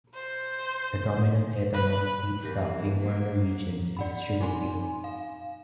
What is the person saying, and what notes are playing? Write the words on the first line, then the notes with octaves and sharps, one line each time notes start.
The dominant ethanol feedstock in warmer regions is sugarcane.
C5
B4
E2 A#3 G4 A#4
F#3 A#3
D5 F#5 B5
D#4 G#5 C6
F5